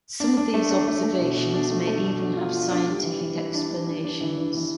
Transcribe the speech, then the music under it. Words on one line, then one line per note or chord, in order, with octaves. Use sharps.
Some of these observations may even have scientific explanations.
D4
D4
A3
D4
A3
A3
B2
B2
D4
A3
A3
B2
D4
F4
F4
D4
G3
E3
E3
E3
D4
D4
D4
D4
E3
D4
E3